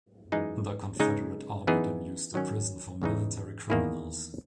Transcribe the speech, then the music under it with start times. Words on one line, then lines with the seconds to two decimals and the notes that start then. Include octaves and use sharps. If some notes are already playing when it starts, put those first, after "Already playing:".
The Confederate Army then used the prison for military criminals.
0.32 F#2 E3 G#3 D#4 G#4
1.00 C#3 G#3 D#4
1.67 E3 B3 D#4 G#4
2.34 D#3 F#3 C#4
3.02 E2 C#3 E3 G#3 D#4
3.70 E2 D#3 A#3 E4 G#4